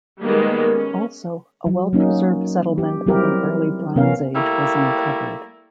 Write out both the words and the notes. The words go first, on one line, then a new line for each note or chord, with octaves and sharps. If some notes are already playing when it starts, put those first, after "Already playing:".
Also a well-preserved settlement of an early bronze age was uncovered.
D#3 G3 G#3 A#3 B3
C#4
F#3
F#3 A#3 C#4 D#4
G4
F#3 G3 C4 E4 G4 A#4
C3 B3 C#4 A#4 F5
G3 A3 A#3 E4